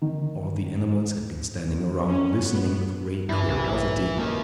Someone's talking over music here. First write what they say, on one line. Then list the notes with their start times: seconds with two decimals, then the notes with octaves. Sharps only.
All the animals had been standing around listening with great curiosity.
0.02 D#3
2.07 C#4
2.45 B3
3.29 G2 E4 B4
3.48 C2
3.63 A#1
4.19 A#3 D#4